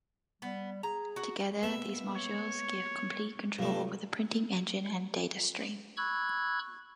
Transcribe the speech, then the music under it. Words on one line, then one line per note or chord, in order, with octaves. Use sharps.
Together, these modules give complete control over the printing engine and data stream.
G3 B3
G#4 A#5
F#4
A#3 B3 B4 E5
C#5
G2 C3 F#3 A3 F4
B5 C#6 E6 F#6 G#6